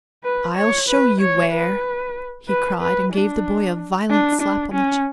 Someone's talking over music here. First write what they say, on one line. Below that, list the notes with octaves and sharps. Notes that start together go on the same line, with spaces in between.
"I'll show you where!" he cried, and gave the boy a violent slap on the cheek.
B4
C#5
B4
C#5
B4
B4
B4
D4
D4
D4
C#4